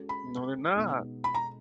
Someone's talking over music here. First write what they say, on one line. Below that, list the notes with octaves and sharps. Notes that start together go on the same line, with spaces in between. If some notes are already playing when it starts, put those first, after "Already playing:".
No, they're not.
Already playing: G#3 C#4 F#4 A4
B5
B2 G#3 B3 D#4
B5
A#5